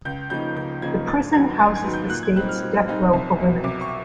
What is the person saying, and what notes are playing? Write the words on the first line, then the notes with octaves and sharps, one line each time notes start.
The prison houses the state's death row for women.
C#2 G6
C#3 F3 A#3 D#4 G6
C#2 G6
C#3 F3 A#3 D#4 G#6
G#2 A6
D#3 F#3 B3 G#6
G#2 A6
G#6
D#3 F#3 B3
G6
A#2 F#6
G#6
G3 C4 D#4 F#6
F6
A#2
G3 C4 D#4
C2
B2 F#3
C2 D6
C#6